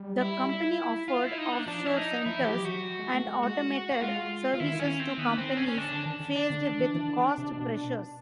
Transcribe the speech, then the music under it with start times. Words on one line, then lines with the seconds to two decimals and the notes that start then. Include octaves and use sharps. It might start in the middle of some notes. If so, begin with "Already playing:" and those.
The company offered offshore centers and automated services to companies faced with cost pressures.
Already playing: G3
0.21 E4
0.49 E4
1.08 F4
1.23 E4
1.38 D#4
1.53 D4
1.66 F3 D4
1.86 E4
1.97 D#4
2.26 F3 E4
2.41 E3
2.45 G4
2.54 F#3
2.65 F#3 F#4
2.99 G#3
3.14 A3
3.28 G#3
3.43 F#4
3.92 F#4
4.01 G#3 F4
4.54 F4
4.60 D#3 E4
4.80 C#4
4.99 C4
5.18 D#3 B3
5.38 C4
5.57 C#4
5.68 C#4
5.77 D3 D4
5.91 D3
6.06 D#3
6.20 D3
6.36 D4
6.50 D3
6.65 D#3
6.80 E3
6.95 E3
7.08 D3
7.38 C3
7.52 B2